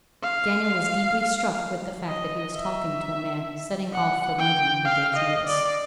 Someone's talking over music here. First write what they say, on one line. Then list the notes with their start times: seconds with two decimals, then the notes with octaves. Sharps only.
Daniel was deeply struck with the fact that he was talking to a man setting off for London at a day's notice.
0.23 F5
2.08 D#5
2.54 E5
3.92 F#5
4.39 G5
4.85 F5
5.16 D#5
5.47 D5